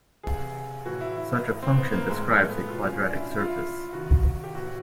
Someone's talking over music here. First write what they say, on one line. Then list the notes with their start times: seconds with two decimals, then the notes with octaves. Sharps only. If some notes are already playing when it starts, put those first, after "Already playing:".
Such a function describes a quadratic surface.
0.23 C3 E3 G#4
0.85 A2 E3 F#4
1.01 E4
1.17 E4
1.32 D#4
1.47 A2 E3
1.63 C4
1.78 B3
1.93 A#3
2.08 A2 E3 G#3
2.29 A3
2.50 B3
2.70 B2 F4
2.85 C#4
3.01 D4
3.16 E4
3.31 A#2 E4
3.39 F4
3.47 E4
3.93 C3 D#3 F#4
4.44 G4
4.54 A2 E3 F#4